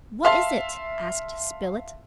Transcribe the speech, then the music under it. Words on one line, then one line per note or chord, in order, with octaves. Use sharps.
"What is it?" asked Spilett.
E5 F5 A5 C6